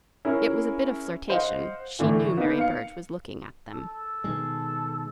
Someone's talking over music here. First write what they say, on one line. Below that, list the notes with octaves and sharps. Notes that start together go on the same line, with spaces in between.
It was a bit of flirtation--she knew Mary Burge was looking at them.
C#4 E4 G#4 A#4
C5 D#5 F5 F#5
A2 D3 E3
A#3 B3 D#4
F5 C#7
A4
B2 D#3 G#3